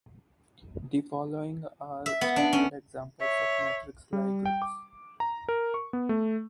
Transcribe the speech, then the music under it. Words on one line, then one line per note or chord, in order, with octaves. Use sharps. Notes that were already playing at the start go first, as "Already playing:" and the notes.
The following are standard examples of matrix Lie groups.
E5
B3
D4
C#4
C#5 E5
G3
G5
D6
A#5
A#4
C#6
B3
A3